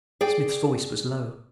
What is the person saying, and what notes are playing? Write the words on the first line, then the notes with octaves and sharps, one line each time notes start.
Smith's voice was low.
G#4 D5 G5